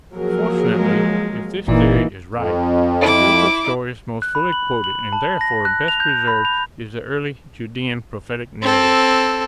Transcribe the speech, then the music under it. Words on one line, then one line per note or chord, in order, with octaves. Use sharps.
Fortunately, if this theory is right, the group of stories most fully quoted and therefore best preserved is the early Judean prophetic narratives.
F3 F#3 A#3 G#4 A#4
G#3
G1 A#2 E3 A#3 D#4 D5
F2
E4 D6
F#6
B5
F#7
F#7
A5
A#6
F#6
F7
G6
B5
F7
C4 A4